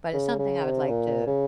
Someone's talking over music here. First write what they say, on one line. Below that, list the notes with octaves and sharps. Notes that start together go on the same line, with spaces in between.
but it's something I would like to
C#3
C#3
C3
A#2
C#3